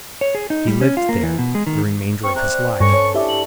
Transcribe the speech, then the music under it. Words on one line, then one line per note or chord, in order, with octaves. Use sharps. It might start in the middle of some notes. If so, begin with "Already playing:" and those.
He lived there the remainder of his life.
C#5
G#4
D#4
G3
C#4
F4
A#3
E3
B2
G#3
D#3
C4 C#6
D5 E5 A#5 F#6
G2 C#4 A4 B4 C#6
C#5
D4 E4 G4 E5
F#7